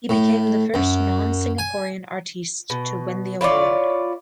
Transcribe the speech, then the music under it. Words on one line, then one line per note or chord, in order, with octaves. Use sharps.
He became the first non-Singaporean artiste to win the award.
A2
F#2
G#5
B2
E4 F4 C#5 D5